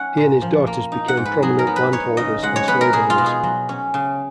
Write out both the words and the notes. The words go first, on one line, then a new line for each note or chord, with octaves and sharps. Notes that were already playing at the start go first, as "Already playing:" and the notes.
He and his daughters became prominent land holders and slaveowners.
Already playing: C#4 F#5
A#2
F3
A#3
D#4
F#5
G#2
B4
F#3 G#4
A#4
B3
B4
D#4 C#5
C#3 D#5
G#3 F#5
C#5
B3 B4
A#4
B2 G#4
F4
B2
G#4
F#3
C#4
C#3